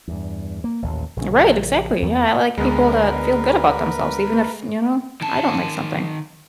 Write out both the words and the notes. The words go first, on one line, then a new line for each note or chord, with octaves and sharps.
Right, exactly, yeah. I like people to feel good about themselves even if, you know, I don't like something.
E2 G2
A#3
A1 D#2 A#2
A#1 C#3
E2 E3 B3
D2 G#3 B3 A#4 B4
D#3 A5